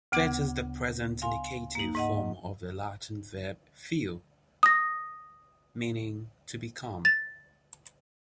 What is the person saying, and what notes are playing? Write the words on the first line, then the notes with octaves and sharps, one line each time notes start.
'Fit' is the present indicative form of the Latin verb fio meaning 'to become'.
D2 C#3 B3 F#5 D6 G#6
F5 G#5 C6
A#3 D#4
G#2 D#5 F#5
D#6 A#6
A6